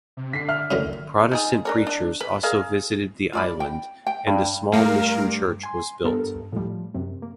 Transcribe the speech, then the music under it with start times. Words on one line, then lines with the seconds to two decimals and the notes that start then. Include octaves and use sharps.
Protestant preachers also visited the island, and a small mission church was built.
0.17 C3
0.33 D3 B6 C7
0.48 E5 F6
0.71 F#1 F#2 A2 D3
1.32 D#4 F4 G#4
1.65 D4 A#4 C#5
1.87 D4
2.21 B4
2.43 G#4 A#4 F5
3.33 F4 D5 B5
3.60 G5
4.07 G5
4.27 G2
4.73 G2 A3 A#4 F5
5.63 G#5 C6
6.05 G2 B3 A4 A#4
6.53 A2 F3 G3
6.94 F#2 C3
7.22 A#3